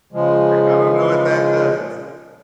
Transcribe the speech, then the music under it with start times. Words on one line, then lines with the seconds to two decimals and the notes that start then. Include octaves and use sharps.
I don't know what that does,
0.13 C#3 F3 G#3